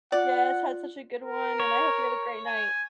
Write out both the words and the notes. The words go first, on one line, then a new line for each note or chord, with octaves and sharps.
Yes. Had such a good one, and I hope you have a great night.
F4 D5 F#5
A#4
C#5
G#5